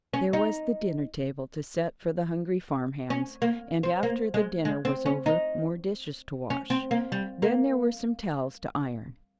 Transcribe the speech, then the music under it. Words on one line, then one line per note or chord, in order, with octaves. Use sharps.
There was the dinner-table to set for the hungry farm-hands, and after the dinner was over more dishes to wash. Then there were some towels to iron.
C#4
D#4
C#4
A#3
C4
A#3
G#3
G#3
C4
C#4
D#4
C#4
C4
A#3
G3
A#3